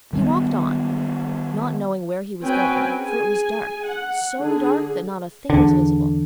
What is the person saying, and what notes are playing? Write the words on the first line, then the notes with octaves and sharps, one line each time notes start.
He walked on, not knowing where he was going, for it was dark, so dark that not a thing was visible.
D#3 G3 A#3 B3
C4 C#4 F#4 B4 G5 G#5
G#4 G#5
F#5
D3 G#4
E2 D3